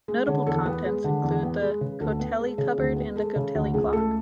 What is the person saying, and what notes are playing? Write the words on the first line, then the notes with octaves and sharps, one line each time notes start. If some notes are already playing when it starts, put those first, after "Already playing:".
Notable contents include the Cotehele cupboard and the Cotehele clock.
G#3
D3 C#5
E2 A4
B3 B4
G#3
D3
E2
B3
G#3
C#3
D2 A4
B3
G#3
C#3 G#4
D2
B3
G#3 A4
C#3
D2
C#2 G#4
A3 A4